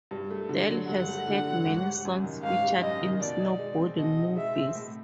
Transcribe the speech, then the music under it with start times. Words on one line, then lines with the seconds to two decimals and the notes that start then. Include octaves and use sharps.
Del has had many songs featured in snowboarding movies.
0.11 G2
0.31 A3
0.49 D3
0.69 F#3
0.88 G2 F#5
1.08 A3
1.28 D3
1.46 F#3
1.65 G#1
1.84 G3
2.05 F#2
2.24 D#3
2.43 G#1 F5
2.63 G3
2.81 F#2 D#5
3.01 D#3
3.20 B2 D5
3.39 D#4
3.59 G#3
3.78 C4
3.97 B2 D#5
4.17 D#4
4.36 G#3 E5
4.55 C4
4.75 A2